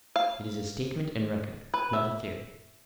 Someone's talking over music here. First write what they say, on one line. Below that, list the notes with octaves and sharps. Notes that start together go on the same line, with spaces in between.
It is a statement and record; not a theory.
F5
B4
E5